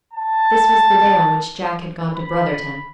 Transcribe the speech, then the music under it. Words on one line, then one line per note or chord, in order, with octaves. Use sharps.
This was the day on which Jack had gone to Brotherton.
A5
B5